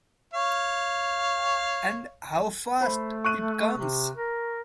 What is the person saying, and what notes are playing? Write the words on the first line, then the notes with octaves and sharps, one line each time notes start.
And how fast it comes!
C#5 F5
A3 C5 B5
C#6 F#6 D#7
C3
A#4